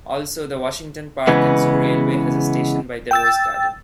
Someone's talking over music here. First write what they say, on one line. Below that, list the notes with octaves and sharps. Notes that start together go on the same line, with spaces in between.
Also, the Washington Park and Zoo Railway has a station by the rose garden.
C#3 E3 G#3 B3
G5 E6 A6